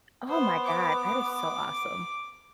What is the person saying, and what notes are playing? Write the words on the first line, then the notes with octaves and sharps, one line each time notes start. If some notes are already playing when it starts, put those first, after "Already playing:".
Oh my God, that is so awesome.
B3 C5
D6